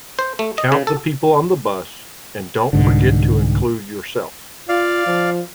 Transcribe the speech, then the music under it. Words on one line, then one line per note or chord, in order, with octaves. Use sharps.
Count the people on the bus, and don't forget to include yourself.
C5
A3
D#5
C#3
A4
C2 G#2 D3
F4 D5 F5
F3